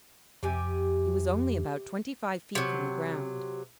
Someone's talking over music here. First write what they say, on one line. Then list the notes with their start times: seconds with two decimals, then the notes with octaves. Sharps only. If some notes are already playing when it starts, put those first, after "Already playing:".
He was only about twenty-five feet from the ground.
0.43 F2 C3 G4 G#5
2.55 C3 F#3